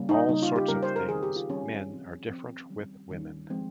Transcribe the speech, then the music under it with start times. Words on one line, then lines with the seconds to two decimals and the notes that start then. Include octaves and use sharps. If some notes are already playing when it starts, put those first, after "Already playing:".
All sorts of things... Men are different with women.
Already playing: C#3 G3 A#3 C#4
0.09 D#4
0.29 C#3 G3 A#3 C#4 D#4
0.43 F4
0.56 G4
0.68 C#3 G3 A#3 C#4 A#4
0.83 C5
0.96 A#4
1.09 D#3 G3 C4 G#4
1.23 G4
1.36 F4
1.49 D#3 G3 C4 C#4
1.89 F3 C4
2.29 F3 C4
2.70 D#3 G3 C#4
3.10 D#3 G3 C#4
3.50 F3 G#3 C4